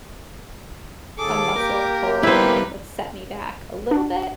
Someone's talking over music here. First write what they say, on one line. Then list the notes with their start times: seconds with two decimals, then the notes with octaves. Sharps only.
a muscle pull that set me back a little bit,
1.19 D#2 G#4 A4 D6
1.56 A#3 G4 A#4
2.23 G3 B3 D#4 E4 B4 C5
3.91 D4